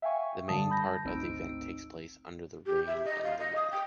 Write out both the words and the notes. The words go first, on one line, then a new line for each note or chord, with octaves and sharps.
The main part of the event takes place under the rain and the wind.
E5 F5 G5 G#5 C#6
G2 D3 G3 A5 D#6
A5 B5 G6 A#6
G#1 D2 C4 D#4 E6 D7
G4
E5
D#5
F5
D#5
D#6
G5